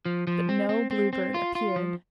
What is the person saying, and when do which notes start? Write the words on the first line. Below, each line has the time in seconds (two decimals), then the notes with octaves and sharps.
But no Blue Bird appeared.
0.05 F3
0.27 F3
0.49 C4
0.69 C4
0.91 C4
1.13 C4
1.34 F4
1.55 F4
1.76 F3